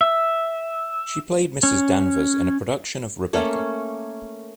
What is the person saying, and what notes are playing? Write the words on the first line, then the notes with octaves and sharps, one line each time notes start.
She played Mrs Danvers in a production of "Rebecca".
E5
C#4
A3 A#3 C#4